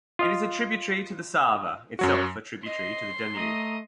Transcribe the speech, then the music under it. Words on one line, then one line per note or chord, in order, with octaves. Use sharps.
It is a tributary to the Sava, itself a tributary to the Danube.
F4 D#5 F5
F#2 F#3 F#4
D#5 C6
A3 D#5 A#5 D#6